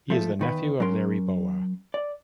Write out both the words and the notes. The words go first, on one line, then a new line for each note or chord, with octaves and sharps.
He is the nephew of Larry Bowa.
F3 A3 A4 E5
E2 D#3 B4
F#3 C#4 A#4 C6
D5